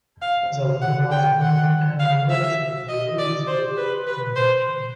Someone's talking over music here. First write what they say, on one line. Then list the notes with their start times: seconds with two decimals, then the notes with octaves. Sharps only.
Zapata was born and raised in Louisville, Kentucky.
0.22 F5
0.82 F#5
1.11 G5
1.41 F#5
1.99 F5
2.30 E5
2.89 D#5
3.19 D5
3.47 C5
3.77 B4
4.07 B4
4.36 C5